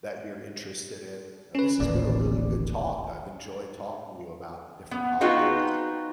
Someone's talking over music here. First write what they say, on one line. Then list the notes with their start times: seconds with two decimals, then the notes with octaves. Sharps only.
that you're interested in uh, this has been a really good talk, I've enjoyed talking to you about the different hobbies.
1.55 C#4 B4
1.80 D1 A1 D#2 D5
4.91 B3
5.21 B3 C4 D#4 F4 F#4 G#4